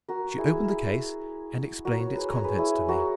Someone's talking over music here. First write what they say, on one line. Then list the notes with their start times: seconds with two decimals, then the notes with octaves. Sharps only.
She opened the case, and explained its contents to me.
0.08 F#4 A#4
0.38 E4 G#4
1.85 F#4 A#4
2.00 A#4 C#5
2.14 G#4 B4
2.29 A#4 C#5
2.44 G#4 B4
2.58 E4 G#4
2.88 F#4 A#4